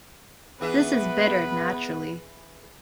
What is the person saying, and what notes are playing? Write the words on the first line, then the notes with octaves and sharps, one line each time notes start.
This is bitter naturally.
E3 B3 G#4 B4 E5